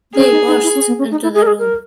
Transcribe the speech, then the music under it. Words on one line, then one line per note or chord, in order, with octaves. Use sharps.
They burst into the room.
C#4 G#4
D#4
D#4
E4
C#4
B3
C#4
D#4
E4
G#4
A#4
G#4
A#4